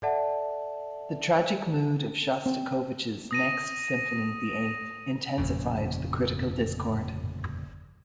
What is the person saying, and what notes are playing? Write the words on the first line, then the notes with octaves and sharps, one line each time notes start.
The tragic mood of Shostakovich's next symphony, the Eighth, intensified the critical discord.
A4 D5 E5 F#5 A5
C4
D#6 A#6 D#7
G1 F2 A#2 C#3